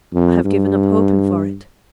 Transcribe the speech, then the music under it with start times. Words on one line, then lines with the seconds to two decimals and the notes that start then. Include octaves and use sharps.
I have given up hoping for it.
0.14 F2
0.45 G2